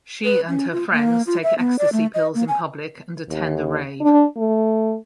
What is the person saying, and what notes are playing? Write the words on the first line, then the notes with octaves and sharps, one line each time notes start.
She and her friends take ecstasy pills in public and attend a rave.
B4
C#4
F4
A#3
F4
E5
B3
D5
A3
D#5
A#3
G#5
D#2
D4
A3